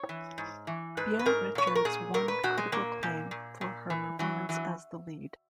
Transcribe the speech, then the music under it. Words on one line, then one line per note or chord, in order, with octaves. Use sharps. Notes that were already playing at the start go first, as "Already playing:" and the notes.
Beah Richards won critical acclaim for her performance as the lead.
Already playing: C#5
E3
G#2
E3
G#2 B4
B4
G#2 A#4
A#2 C#5
B4
A#4
A#2 G#4
A#2 A#4
B4
A#2 F#4
G#3
A#2 A#3
A#2
A#2
A#2
E3
E3 F#3
E3 F#3